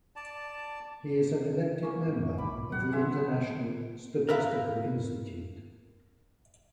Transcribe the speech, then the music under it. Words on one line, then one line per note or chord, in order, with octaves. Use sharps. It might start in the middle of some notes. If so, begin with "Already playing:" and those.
He is an elected member of the International Statistical Institute.
D5 A5
A#3 C#4
G#2
B1 A#2 B5 D6
F#3 D4 F#5
G#4 E5 C6
A#4 B4 E5 F5